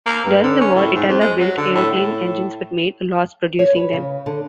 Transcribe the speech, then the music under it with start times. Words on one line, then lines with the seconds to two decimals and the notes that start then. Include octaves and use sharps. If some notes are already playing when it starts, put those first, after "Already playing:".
During the war Itala built aeroplane engines but made a loss producing them.
0.06 A#3
0.25 G2
0.43 D3
0.61 C#4
0.75 A2
0.95 G#2
1.08 F2
1.20 G#3
1.39 F#3
1.57 D3
1.75 A2
1.97 A2
3.59 C#5
3.76 B4
3.93 C#3
4.26 D3